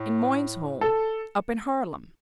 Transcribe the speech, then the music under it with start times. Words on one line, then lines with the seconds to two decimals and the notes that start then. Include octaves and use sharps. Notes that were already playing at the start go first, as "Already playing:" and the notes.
"In Moyne's home--up in Harlem."
Already playing: A2
0.81 A4